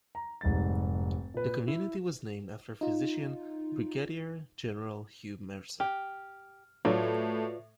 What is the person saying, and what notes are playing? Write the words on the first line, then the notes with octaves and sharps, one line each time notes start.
The community was named after physician Brigadier General Hugh Mercer.
A#5
F1 G#2 G3 A#5 A6
A#2 B4
E4
D#4 F4
G4 F6
A2 F#3 F4 B4 D5